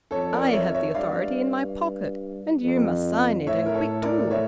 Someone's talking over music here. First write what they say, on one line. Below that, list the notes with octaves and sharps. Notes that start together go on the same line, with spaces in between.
I have the authority in my pocket and you must sign it, and quick too!
F2 A4 C#5
A#4 D5
C#5 E5
C#5 E5
G2 D5 F5
F2
A2 C#5 E5
A#4
A4 C#5
A#4 D5
C#5 E5